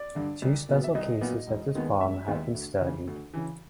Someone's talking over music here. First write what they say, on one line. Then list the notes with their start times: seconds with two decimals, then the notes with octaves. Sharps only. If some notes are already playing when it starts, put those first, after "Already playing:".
Two special cases of this problem have been studied.
Already playing: D5
0.15 G2 D3
0.42 C2
0.69 A#2 F#3 B3
0.84 E5
0.95 C2 D#5
1.21 A#2 F#3 B3
1.47 E1
1.75 D#2 D#3 G#3 B3
2.01 E1 E5
2.28 D#2 D#3 G#3 B3
2.54 D2
2.81 C#3 E3
3.07 D2
3.34 C#3 E3